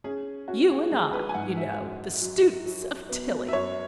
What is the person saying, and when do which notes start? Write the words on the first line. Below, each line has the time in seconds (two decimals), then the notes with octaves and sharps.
You and I, you know, the students of Tilling!
0.04 C#4 G#4
0.48 C#4 F#4
0.70 G#4
0.92 G#3 G#4
1.13 B4
1.29 G#5
1.34 G#2 F#5
1.57 E5
1.78 F#2
2.22 F#3
2.66 F#3
3.09 B3
3.48 E5
3.52 F#2 C#5